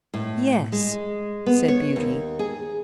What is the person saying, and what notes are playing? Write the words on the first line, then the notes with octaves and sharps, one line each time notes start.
"Yes," said Beauty.
A2
G#3
B3
C#5
D#2
G#4